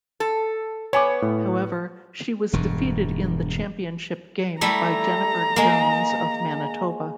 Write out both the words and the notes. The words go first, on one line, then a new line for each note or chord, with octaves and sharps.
However, she was defeated in the championship game by Jennifer Jones of Manitoba.
A4
B3 C#5 G#5 D6
A2
E1 G2
G3 A3 E4 A#5
G#3 A#3